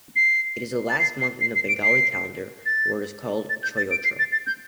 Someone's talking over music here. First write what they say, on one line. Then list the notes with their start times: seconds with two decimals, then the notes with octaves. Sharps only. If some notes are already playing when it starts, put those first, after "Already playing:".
It is the last month in the Bengali calendar, where it is called Choitro.
0.16 C7
0.90 A6
0.99 C7
1.20 C7
1.41 C7
1.55 C7
1.69 D7
1.83 C7
2.66 A6
3.50 A6
3.63 G6
3.77 A6
3.91 D7
4.04 C7
4.19 A6
4.32 A6
4.46 G6